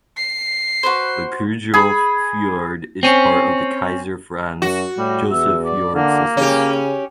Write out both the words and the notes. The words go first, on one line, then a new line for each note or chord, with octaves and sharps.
The Kjerulf Fjord is part of the Kaiser Franz Joseph Fjord system.
C7
F#4 B4 C5
G#4 B5
C4 C#4
F#2 F#4
A2 G3
E2 E5
D5
D3 A#3
C#3 C#4 G4